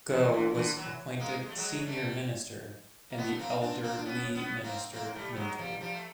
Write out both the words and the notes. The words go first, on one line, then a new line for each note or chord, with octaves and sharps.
Goh was appointed Senior Minister, and the elder Lee Minister Mentor.
E3 F#3
D#3
D3 E3
F3
D3 E3
E3 F#3
G#3 A#3
G#3
A3
F#3 G#3
G3 A3
A#3
A3 B3
A#3 C4
C4 D4
A#3 C4
D4
B3 C#4
B3 C#4
A#3 C4
A#3 C4
A#3
G3 A3
F#3 G#3
F3 G3
F3 G3
A3